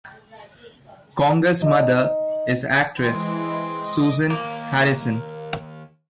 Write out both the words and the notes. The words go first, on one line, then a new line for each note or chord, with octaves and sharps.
Conger's mother is actress Susan Harrison.
D#4
E3 G#3 C4
D#5 D6 D#6
F2 A#3
D#2